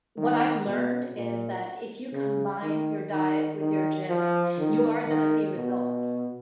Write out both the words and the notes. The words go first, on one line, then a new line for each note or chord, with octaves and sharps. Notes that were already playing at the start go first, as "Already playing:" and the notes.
what I've learned is that if you combine your diet with your gym, you are gonna see results.
D#3
B2
A#2
C#3
D#3
D#3
D#3
F3
D#3
D#3
B2